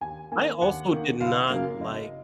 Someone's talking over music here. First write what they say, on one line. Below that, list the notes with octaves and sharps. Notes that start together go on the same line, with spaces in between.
I also did not like
D#2 G#5
D#3 A#3 G#5
D#2 F#5
D#3 A#3
F#1 F5
F#2 C#3 F#3 A#3
F#1 D#5